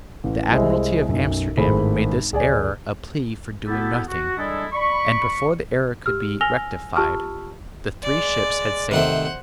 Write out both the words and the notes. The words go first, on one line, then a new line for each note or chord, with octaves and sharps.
The Admiralty of Amsterdam made this error a plea for doing nothing; and, before the error could be rectified, the three ships had sailed.
A1
C2 G3 G#3 E4 G#4 C5
B1 F#2
G#1 A2 G#4 C5 B5
D1 G#4 D5 G#5
B3 E4 F#4 G4 A4
F#4
G3 G#3 D4 E4 G#4 A4
D5 B5 C#6
G4 E6 F6
G#5 E6 F6 A#6 F7 G7
F4 G4 A5 C#6 E6 F6
G#3 D5
C3 D#3 A3 C5 F#5